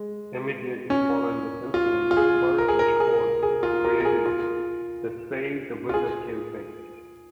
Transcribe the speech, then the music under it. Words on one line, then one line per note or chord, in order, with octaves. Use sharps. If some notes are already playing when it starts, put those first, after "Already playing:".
Immediately following this incident, Berk and Schwartz created the Save The Wizard Campaign.
Already playing: G#3
C#4
F4
F4
G#4
A#4
G#4
A#4
G#4
G#4
F4
A#4
A#4
G#4
F4
F4
G#4